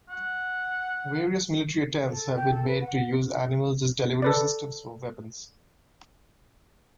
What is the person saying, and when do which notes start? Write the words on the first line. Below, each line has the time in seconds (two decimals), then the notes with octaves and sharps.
Various military attempts have been made to use animals as delivery systems for weapons.
0.10 F#5
2.09 A4
2.36 G5
2.50 A4
2.66 B4
2.80 F#5
4.22 A4 B4 D5